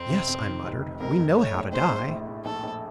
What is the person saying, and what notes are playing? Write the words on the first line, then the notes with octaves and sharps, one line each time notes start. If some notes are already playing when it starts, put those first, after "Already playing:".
"Yes," I muttered, "we know how to die!"
Already playing: F2 C4
C3
F2
D#3
F1
F1
F2 A#4
F2
A3 C#5
A#1
A#1 C5
A#1
A2
A2
A#1 A4
A#1